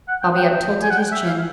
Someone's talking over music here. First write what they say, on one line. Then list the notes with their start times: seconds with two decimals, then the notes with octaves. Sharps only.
Bobby uptilted his chin.
0.08 F#5
0.23 G5
0.34 F#5
0.37 G5
0.82 G#5
0.91 F#5
0.97 G5
1.12 E5
1.27 F5